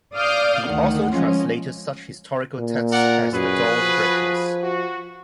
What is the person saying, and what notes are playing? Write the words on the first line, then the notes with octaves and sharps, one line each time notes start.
He also translated such historical texts as "The Dawn-breakers".
D5 F5 D#6 F6 G6
D2 D#3 F#5
F3 G#3 C#4 F4
A#2
A#4 D5 F#5
F#2 F#4 G#4 B4
F3
F#4